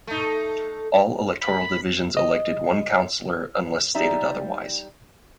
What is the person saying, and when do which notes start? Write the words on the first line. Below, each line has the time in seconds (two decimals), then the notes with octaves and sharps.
All electoral divisions elected one councillor unless stated otherwise.
0.07 A3 D#4
1.41 B5
2.17 D#5
3.95 G3 D#4 E5 A#5